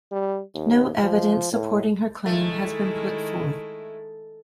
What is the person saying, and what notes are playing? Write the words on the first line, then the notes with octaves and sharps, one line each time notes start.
No evidence supporting her claim has been put forth.
G3
D#2
F3
A2
D#3 G#3 A3 E4